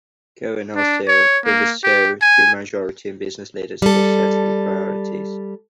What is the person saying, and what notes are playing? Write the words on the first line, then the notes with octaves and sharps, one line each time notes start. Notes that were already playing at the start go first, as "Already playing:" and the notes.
Cohen also oversaw TrueMajority and Business Leaders for Sensible Priorities.
D4
C#5
A#3
G4
G#5
G3 A4